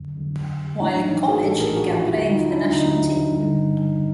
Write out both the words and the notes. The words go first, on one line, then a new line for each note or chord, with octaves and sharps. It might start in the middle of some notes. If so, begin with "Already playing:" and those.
While in college, he began playing for the national team.
Already playing: F2 D3 F#3
F2 D3 F#3
A1 A2 E3 A3 D4 E4
D#4
D#4
F#4 G#4
A1 A2 E3 A3 G4 A4
G#4 A#4
F#4 G#4
F4 G4
D#2 D3 F#3 E4 F#4
D#4 F4
D4 E4
D#2 D3 F#3 D#4
G2 D3 G3